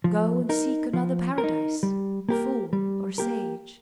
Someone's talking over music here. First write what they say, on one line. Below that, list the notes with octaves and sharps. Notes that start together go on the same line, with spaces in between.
Go and seek another paradise, fool or sage.
F3
D#4 A#4
F3
A#4
D#4
G3
A#3 G4 A#4
G3
A#3 G4 A#4